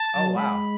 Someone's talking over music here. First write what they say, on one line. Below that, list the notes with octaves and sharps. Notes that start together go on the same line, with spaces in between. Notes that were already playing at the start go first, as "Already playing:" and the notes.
Oh, wow.
Already playing: A5
F#3
G#3 B5